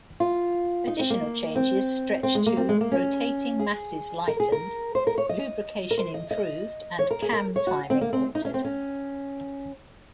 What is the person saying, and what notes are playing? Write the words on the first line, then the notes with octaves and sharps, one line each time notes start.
Additional changes stretch to "rotating masses lightened, lubrication improved and cam timing altered".
F4
D#4
C4
A#3
C4
C4
G#3
A#3
C4
G#3
A#3
C#4
G#4
A#4
G#4
A#4
C5
A#4
C#5
D#5
A#4
C5
D#5
D#5
C#5
A#4
G#4
A#4
C#5
F#4
C4
A#3
C4
D#4
C#4
C4
C#4